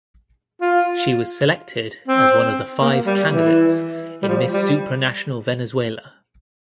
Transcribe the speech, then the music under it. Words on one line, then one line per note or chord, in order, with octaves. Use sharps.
She was selected as one of the five candidates in Miss Supranational Venezuela.
F4
C4
A#3
G3
E3
G3
F3
G3